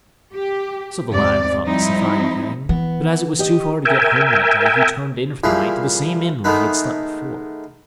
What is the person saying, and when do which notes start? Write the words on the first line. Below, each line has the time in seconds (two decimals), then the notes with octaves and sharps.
So the lad thought this a fine thing; but as it was too far to get home that day, he turned in for the night to the same inn where he had slept before.
0.34 G4
1.10 E2 G#2 C3 G#3 D5
1.65 F3 G3 C4 D#4 E4
2.69 E3 B3
3.39 G4 D#5
3.85 A#4 E5 G5 G#5
5.44 A#2 E3 F3 G3 G#4
6.44 D#3 G#3 A3 B3 D#4 B4